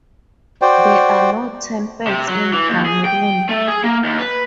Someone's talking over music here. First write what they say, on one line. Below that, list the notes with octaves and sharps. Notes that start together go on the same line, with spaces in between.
There are no temples in Cameroon.
F#4 C5 D5 G5
C3
F#3
E3
D#2
G#4
G5
A3
G#4
A#3
D#2
B4